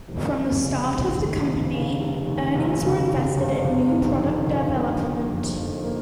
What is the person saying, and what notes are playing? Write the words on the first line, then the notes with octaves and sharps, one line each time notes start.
From the start of the company, earnings were invested in new product development.
F1
F1
C#3
F1
D#2
F1
C#3
F1
D#2
F1
C#3
F1
G1
G1
D#3
F2
G1
A#3
A#3
F2
F2
A#3